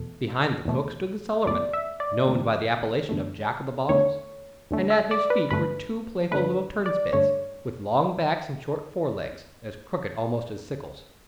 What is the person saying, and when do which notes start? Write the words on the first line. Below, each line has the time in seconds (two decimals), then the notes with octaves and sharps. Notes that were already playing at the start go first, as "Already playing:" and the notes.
Behind the cook stood the cellarman, known by the appellation of Jack of the Bottles, and at his feet were two playful little turnspits, with long backs, and short forelegs, as crooked almost as sickles.
Already playing: E2 B2 A3
0.65 E2 B2 A3
1.46 E2 B2 A3 D5
1.73 E5
2.00 D5
2.28 E2 D3 A3
3.09 E2 D3 A3
3.89 E2 D3 A3 C#5
4.71 E2 D3 A3
4.90 E5
5.11 D5
5.30 B4
5.51 G2 D3 A3 B4
6.31 G2 D3 A3 B4
6.86 D5
7.13 G2 D3 A3 C#5